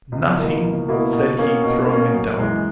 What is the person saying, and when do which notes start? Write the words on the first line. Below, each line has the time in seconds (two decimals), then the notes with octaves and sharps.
"Nothing," said he, throwing it down.
0.12 C#2
0.38 B2 A#3 E4
0.63 C#2
0.88 B2 A#3 E4
1.13 B2
1.38 A#3 C#4
1.64 B2
1.89 A#3 C#4
2.14 F#2
2.39 E3 G#3